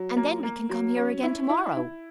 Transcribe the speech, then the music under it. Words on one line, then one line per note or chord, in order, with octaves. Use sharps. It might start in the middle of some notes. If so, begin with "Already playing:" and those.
"And then we can come here again to-morrow."
Already playing: F#3
A#3
A#3
F#3
C#4
E4
E4
E4